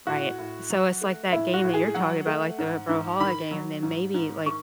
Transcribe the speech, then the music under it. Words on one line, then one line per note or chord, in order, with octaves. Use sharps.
Right. So, it's like that game that you're talking about, like the Brawlhalla game. And then maybe, like,
A2 F#4
A2
F#3
A3
A2 E4
F#4
A2
G#4
F#3 F#5
A3
G#2
G#2
D#3 B5
F#3
G#2
G#2
D#3 C#6